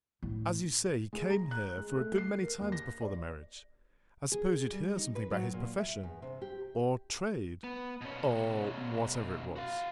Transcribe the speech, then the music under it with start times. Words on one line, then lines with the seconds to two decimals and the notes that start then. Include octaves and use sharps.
"As you say he came here for a good many times before the marriage, I suppose you'd hear something about his profession, or trade, or whatever it was?"
0.23 A2
1.13 G#3
1.30 A#5
1.51 F#6
1.78 G#3
1.97 A3
2.18 C7
2.43 A#4
2.60 D#2
2.72 A#6
3.02 D5
4.32 G#4
4.72 G3
4.97 D#4
5.15 B4
5.31 F#3
5.54 A#2
5.78 E5
6.03 E2
6.22 C3
6.42 G4
7.64 B3
8.01 B2 C#4
9.56 F#4 F5